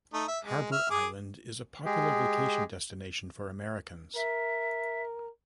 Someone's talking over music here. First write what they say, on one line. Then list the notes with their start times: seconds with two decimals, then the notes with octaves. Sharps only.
Harbour Island is a popular vacation destination for Americans.
0.13 A3 D#4
0.28 E5
0.45 G#3
0.72 E5 F6
0.90 G#4 G#5 D6
1.85 G#3 G4 G#4
4.16 A#4 E5